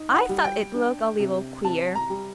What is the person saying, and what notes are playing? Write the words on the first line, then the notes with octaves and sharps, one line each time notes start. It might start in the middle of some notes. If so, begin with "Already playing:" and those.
'I thought it looked a little queer.
Already playing: D#4
F#5
G3
G5
D4
C3
C3 A5
A#5
G3